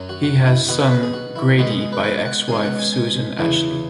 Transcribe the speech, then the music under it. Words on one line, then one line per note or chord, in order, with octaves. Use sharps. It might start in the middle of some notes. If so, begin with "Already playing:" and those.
He has son, Grady by ex-wife Susan Ashley.
Already playing: F#2 F#3 C#4
F#4
F#4
E4
B2 B3 F#4
B4
B4
G#4
F#4
E4
B2 G#3 B3 F#4
G#4
G#4
B4
B4
F#5
B2 G#3 C#4 G#5
F#5
G#5
G#5
E2 C#3 E3